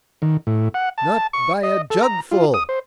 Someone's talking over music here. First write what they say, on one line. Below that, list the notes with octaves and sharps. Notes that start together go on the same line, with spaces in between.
"Not by a jugfull!"
D#3
A2
F#5
A5
C#6
D#5
A4
A#5
F4
D#6
C5